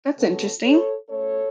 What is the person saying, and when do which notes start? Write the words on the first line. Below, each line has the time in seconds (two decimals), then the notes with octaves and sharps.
That's interesting.
0.18 C#3 G#3 B3 D#4 A4 C#5
0.63 A4 C#5
1.09 B2 A3 C#4 A4 C#5